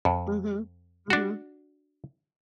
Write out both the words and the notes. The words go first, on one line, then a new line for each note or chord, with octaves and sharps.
Mhm, mhm.
F2
D4 F#4